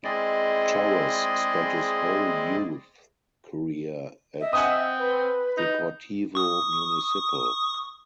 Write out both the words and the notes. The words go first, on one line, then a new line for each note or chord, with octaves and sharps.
Torres spent his whole youth career at Deportivo Municipal.
G#3 C4 E4 G#4 D5 D#5
D#5 E5
C4 F#5 G#5 D#6
B4
D#4
C#6 D#6